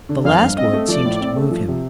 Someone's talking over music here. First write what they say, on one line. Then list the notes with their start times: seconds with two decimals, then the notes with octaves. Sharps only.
The last word seemed to move him.
0.09 D3
0.25 F2 F5
0.42 G1
0.57 C4 D#5
0.73 A3
0.88 F3 D5
1.05 A2
1.20 C4
1.36 A3
1.51 F3
1.68 C3